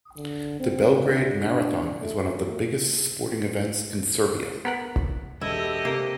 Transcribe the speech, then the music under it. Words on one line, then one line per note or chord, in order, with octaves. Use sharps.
The Belgrade Marathon is one of the biggest sporting events in Serbia.
D3
C4
D2
D4
A3
A#2
B3 A#4 F#5 B6
E1 E4 G4 A4 D#5
C3 A#3 C4